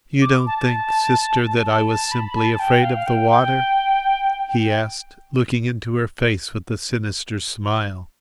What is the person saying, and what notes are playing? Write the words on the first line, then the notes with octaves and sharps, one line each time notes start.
"You don't think, sister, that I was simply afraid of the water?" he asked, looking into her face with a sinister smile.
D6
A5
A5
A5
A5
B5
A5
G5
F5
F5
G5
G5
G5